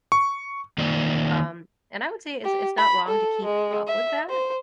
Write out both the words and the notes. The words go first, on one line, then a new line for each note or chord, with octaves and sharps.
Um, and I would say it's it's not wrong to keep up with that.
C#6
D#3 A#3 D#4 C5 D5
G4
B5
A4
G#3
E5
C5